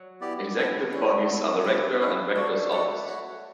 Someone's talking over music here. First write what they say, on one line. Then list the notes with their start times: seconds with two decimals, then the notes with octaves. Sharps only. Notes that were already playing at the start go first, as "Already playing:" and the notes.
Executive bodies are the Rector and Rector's office.
Already playing: F#3
0.21 B3 E4 G4 D5
0.56 B3 E4 A4 E5 G5
0.92 D3 C#4 E4 B4
1.28 B3 E4 A4
1.64 F#3 E4 G4 D5
2.00 C#4 E4 B4
2.36 G3 F#4 A4 D5
2.71 A3 F#4 A4 D5 F#5
3.07 F#4 C#5 F#5